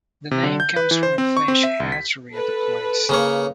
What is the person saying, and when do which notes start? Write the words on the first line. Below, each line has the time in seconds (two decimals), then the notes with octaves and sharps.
The name comes from a fish hatchery at the place.
0.31 C3
0.43 D3
0.60 G6
0.76 B4
0.91 E3
1.03 C5
1.18 C4
1.37 C#6
1.48 C4
1.63 E5
1.80 C2
1.92 B6
2.33 A4 B4
3.09 C#3 A#3 C#5